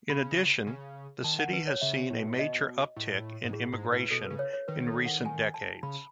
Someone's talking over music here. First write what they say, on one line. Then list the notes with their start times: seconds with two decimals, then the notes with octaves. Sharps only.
In addition, the city has seen a major uptick in immigration in recent decades.
0.09 C#3 B5
0.67 C#3
1.24 D#3 A5
1.39 F#5
1.53 B4
1.67 C#5
1.81 C#3 E5
2.10 A2
2.18 B2
2.27 A2
2.39 B2 D#5
2.96 A2
3.44 G#2
3.53 A2 G#4
3.72 G#2 E4
3.92 A2 B4
4.11 B2 A4
4.25 C#3 B4
4.39 C#5
4.53 C#5
4.68 D#3 B4
4.87 A4
5.06 F#5
5.26 G#5
5.54 A5
5.83 C#3 B5